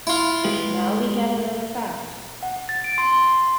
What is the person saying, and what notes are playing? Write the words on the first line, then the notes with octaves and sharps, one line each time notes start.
Now we get another fact.
E4 F4
G#3 G4 B4
F#5
A6
D7
C6